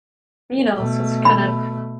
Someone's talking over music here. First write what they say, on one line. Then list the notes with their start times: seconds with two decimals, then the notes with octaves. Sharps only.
You know, so it's kind of
0.76 B2 A3
1.25 B5